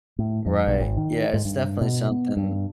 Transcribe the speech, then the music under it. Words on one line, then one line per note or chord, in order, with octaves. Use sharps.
Right. Yeah. It's definitely something
A2
F2
B1
G#1
D#3
G#2
G2
B2
B3
G2